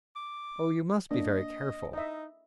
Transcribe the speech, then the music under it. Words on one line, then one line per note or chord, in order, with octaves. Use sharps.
'Oh! you must be very careful.
D6
A#3 D4 D#5
D#4 D#5 E5